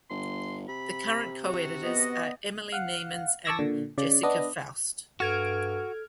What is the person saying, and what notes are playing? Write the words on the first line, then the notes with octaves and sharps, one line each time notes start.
The current co-editors are Emily Nemens and Jessica Faust.
G1 C6
C3 B5
F#4
B3 D#5
F5 F#5
A5 C#6 D6 E6 G#6 A#6
A#2 D3
C#3 D5
B3 D4 D#5
G2 F#4 A4 F6 G#6 D7